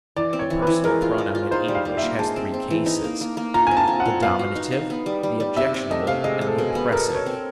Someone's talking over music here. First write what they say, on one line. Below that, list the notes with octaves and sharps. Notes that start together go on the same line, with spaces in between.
The personal pronoun in English has three cases, the dominative, the objectionable and the oppressive.
E3 D5
C4
C#5
E3
E3 B4
G#3 A#4
F4
G#3
F4
D#4 C5
G3
F5
G3
A#3 E5
G#3 A5
C4
C4
E3
D#4
A#3
A#3
A#3
F4 A#5
C4 G#5
A5
F4
F#5
F4
B3 F5
F#4
D#4
D#4
B3
G3
G3
G3
C3 E5
C3
A3 D#5
C3 F5
G#3 D#5
G#3
A4
B2
G#4
B3
A4 A#4
A4
C#5
C4